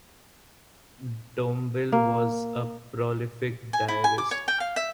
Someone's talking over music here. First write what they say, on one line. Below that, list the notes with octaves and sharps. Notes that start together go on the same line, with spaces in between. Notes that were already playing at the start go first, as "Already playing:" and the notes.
Domvile was a prolific diarist.
A#3
G#5
E4
G#5
D6
C#5
G5
F5
E5